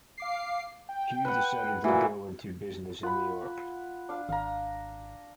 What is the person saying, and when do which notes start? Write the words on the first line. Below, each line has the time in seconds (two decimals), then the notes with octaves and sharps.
Hugh decided to go into business in New York.
0.17 F5 D6 C7
0.89 G5
1.25 B4 F#5
1.84 A#2 E3 A3 F#4
3.03 F4 F#5 B5
4.09 D4 F5
4.29 G#1 F5 A#5